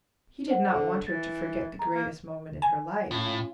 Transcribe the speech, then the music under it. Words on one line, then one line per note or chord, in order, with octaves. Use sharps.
He did not want her to forget the greatest moment in her life.
C5 F#5
D3
E3 A6
A#5
A#3
G#5
A2 C#4 F4